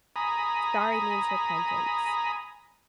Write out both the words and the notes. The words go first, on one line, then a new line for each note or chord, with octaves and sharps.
sorry means repentance.
G#5 A#5 B5 D#6